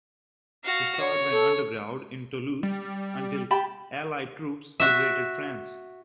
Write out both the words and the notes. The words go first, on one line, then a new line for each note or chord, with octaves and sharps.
Dissard went underground in Toulouse until Allied troops liberated France.
F#4 F5
C#5
A4
G3
G4 A5 B5
F#4 E5